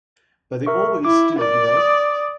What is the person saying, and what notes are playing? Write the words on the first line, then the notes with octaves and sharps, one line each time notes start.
But they always do, you know.
A#4 E5 C#6
E4 D6
A#4 D5
D#6